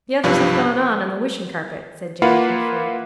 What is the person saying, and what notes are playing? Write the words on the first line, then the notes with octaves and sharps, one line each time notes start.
'The others have gone on, on the wishing carpet,' said Jane truthfully.
B1 G2 C3 F3 B4
A#3 E4 F4 B4 F5 F#5